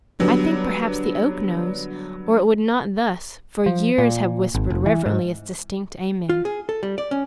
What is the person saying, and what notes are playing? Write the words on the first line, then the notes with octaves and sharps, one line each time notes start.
I think perhaps the oak knows or it would not thus for years have whispered reverently its distinct Amen!
D3 F#3 G3 B3 D4
F3
A#2
G#1
F1
E3
G#2
F4
G#4
A4
G3
D5
C#4